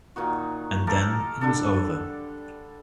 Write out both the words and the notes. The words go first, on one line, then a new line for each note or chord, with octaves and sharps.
And then it was over.
A#2 D#3 D#4 F#4
G4 A4 A#4 A5
D3 G3 D4 A4